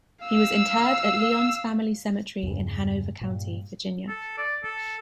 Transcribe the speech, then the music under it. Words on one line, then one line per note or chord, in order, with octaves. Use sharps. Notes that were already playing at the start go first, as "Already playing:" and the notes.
He was interred at Lyons Family Cemetery in Hanover County, Virginia.
F5 E6
E2 G2 C#3
G2 A#2
A4
D5
A4